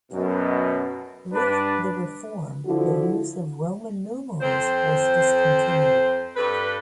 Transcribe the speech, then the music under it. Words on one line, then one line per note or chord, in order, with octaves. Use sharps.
With the reform the use of Roman numerals was discontinued.
F#2 B2
G2 D4 B4
D3 F3 E4 F#4
F2 C4 C5
G2 A4 B4